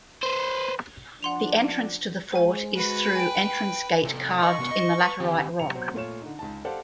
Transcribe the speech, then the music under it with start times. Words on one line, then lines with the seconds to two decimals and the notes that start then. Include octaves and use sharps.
The entrance to the fort is through entrance gate carved in the laterite rock.
0.23 B4 C5
1.23 F3 D4 F#5 C6 F7
2.32 G#3 C5 G#5
2.76 F#4 B4
3.15 G5 G#5 D7
4.03 C3 E4 A4
4.42 A#4 D#5 C#6
4.58 C3 B3 A#4
4.71 D#5
5.00 B4
5.20 D#3 C4 G4
5.59 C3 F#3 A#5 C#7 F7
5.75 B2 F#3 C4
5.94 A#2 A3 F4 C#5 E7
6.22 D3 D#4
6.39 C#2 D#4 A5
6.65 G4 A4 C5 D5 F5 F#5